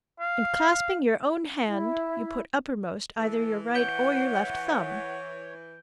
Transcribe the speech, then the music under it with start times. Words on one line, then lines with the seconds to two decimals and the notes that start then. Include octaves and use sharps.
In clasping your own hand, you put uppermost either your right or your left thumb.
0.20 F5
1.66 E4
3.19 E3 A4
3.75 C#5 F#5 G6 D7 G7